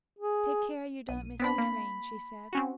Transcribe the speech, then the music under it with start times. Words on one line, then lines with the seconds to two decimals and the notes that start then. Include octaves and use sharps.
"Take care you don't miss your train," she said.
0.19 G#4
1.09 B1 D#7
1.40 B3 C4 D4 B5 B6
1.58 A#3
2.53 C4 C#4 F#4